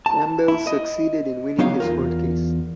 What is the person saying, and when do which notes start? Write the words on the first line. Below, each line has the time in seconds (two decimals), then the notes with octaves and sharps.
Campbell succeeded in winning his court case.
0.06 A5
0.48 E4
0.67 D#5
1.59 F#3 B3 D#4 G4 C#5 F5
1.80 E2 F4 A#4